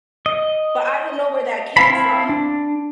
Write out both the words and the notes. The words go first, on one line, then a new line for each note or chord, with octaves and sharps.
But, I don't know where that came from.
D#5
C4 E4 F5 A5 B5
D4